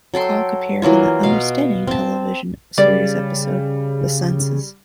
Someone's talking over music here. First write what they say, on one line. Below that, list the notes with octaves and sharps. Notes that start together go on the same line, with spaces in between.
Cog appeared in the "Understanding" television series episode "The Senses".
F#3 A4 G5 C6
E3 F#3 A#3 F4
B2 F5
C4 A5
C#3 G3 D5